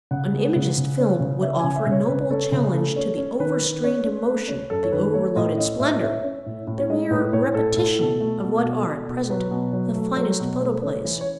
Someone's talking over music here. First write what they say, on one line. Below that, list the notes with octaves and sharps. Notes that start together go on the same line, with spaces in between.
An Imagist film would offer a noble challenge to the overstrained emotion, the over-loaded splendor, the mere repetition of what are at present the finest photoplays.
C#3 F#5
G#3
C#3
C#3
C#4
C#3
C#4 E5
C#3 G#5
E5
C#3 C#5
C#3 B4
C#4 A4
C#3
A3 A4
C#4
C#4
D#3 B4
D#3
C#4
C#4
A3
C#4
F#2 A4
C#5
D#3 B4
A3 C#5
A2 D#5
C#4 D#5
A2 E5
D#5
C#4 E5
C#4
A2
A2
C#5
G#3 D#5
A2 B4
A2 C#5
A2 A4
A2 A4
B2 A4
A3
B2
B2
B2
B2
F#3 B4
B2
F#3
A3
F#3
B2
A3
C#4
E3
C#5